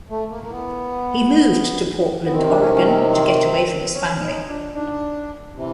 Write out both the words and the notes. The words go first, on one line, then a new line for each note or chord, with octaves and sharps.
He moved to Portland, Oregon, to get away from his family.
A3
A#3
A#3
B3
B3
C3 D#3 C4
D4
C#4
C#4
C4
C4
C#4
D#4
D4
D4
C3 E3